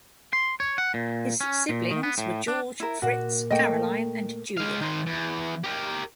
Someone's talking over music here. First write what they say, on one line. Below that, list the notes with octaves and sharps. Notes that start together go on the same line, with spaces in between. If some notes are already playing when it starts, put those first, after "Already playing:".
His siblings were George, Fritz, Caroline and Julia.
C6
C#5
F#5
A#2
C#4
A#2
D#3
B3
A2
D4
E4 A#4
A#2 F#4
A3 A#3 D#5 G5
G#3 F5
D#3 C5
E2
G4 A#4